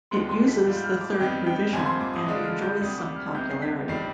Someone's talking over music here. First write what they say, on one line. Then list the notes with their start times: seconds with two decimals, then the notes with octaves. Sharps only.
It uses the Third Revision and enjoys some popularity.
0.11 D#2 D3 F3 G#3 B3 C6
0.29 C6
0.48 B6
0.66 G#2 G3 D4 F4
0.77 G6
0.84 F6
1.01 D6
1.19 F2 D#3 G3 B3 G5
1.46 G5
1.73 G#1 G2 F3 C4 F4 G#5
1.86 C6
2.01 D6
2.14 D#6
2.27 G2 D3 G#3 D4 F4 D#6
2.45 F6
2.62 G6
2.81 D2 C3 G3 D#6
2.98 D6
3.16 F6
3.34 C2 C3 D#3 B3 G6
3.51 C7
3.62 B6
3.88 G1 D#3 G3 D4 C7